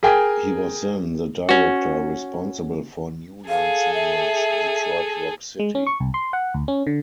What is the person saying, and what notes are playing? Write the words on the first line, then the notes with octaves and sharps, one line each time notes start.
He was then the director responsible for New Line Cinema's "Detroit Rock City".
G#4 A#4 G5 G#5
C#4 F#4
G#4 A4 F5
E5
G#3
C#4
C#6
C2
C6
F#5
D2
C#4
D3